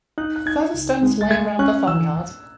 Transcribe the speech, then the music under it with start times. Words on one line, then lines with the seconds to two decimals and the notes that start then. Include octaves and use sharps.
Further stones lie around the farmyard.
0.18 D#4 F#6
0.36 F#6
0.46 D#4 G#6
0.74 C#2
1.03 G#3
1.21 A6
1.31 G#3 G#6
1.59 C#4 F#6
1.87 E3 E6